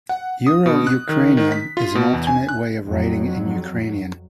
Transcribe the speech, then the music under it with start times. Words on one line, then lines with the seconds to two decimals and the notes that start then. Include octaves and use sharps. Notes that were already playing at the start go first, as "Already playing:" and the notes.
Euro-Ukrainian is an alternate way of writing in Ukrainian.
0.09 F#5
0.47 D#6
0.66 B2
0.87 F#6
1.09 D#3
1.37 D#3
1.52 B6
1.77 F4
1.95 B2
2.13 E2
2.27 G#5
2.49 F#6
2.86 F2 F#3